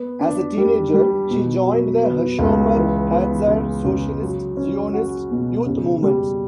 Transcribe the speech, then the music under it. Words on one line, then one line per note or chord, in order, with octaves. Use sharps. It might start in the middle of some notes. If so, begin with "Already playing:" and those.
As a teenager she joined the HaShomer HaTzair Socialist-Zionist youth movement.
Already playing: B3
D4
G3
G3
B2
F#3
B3
C#2
E3
B3
C#3
C#3
F#3
C#4
F#4
B2
C#3
G3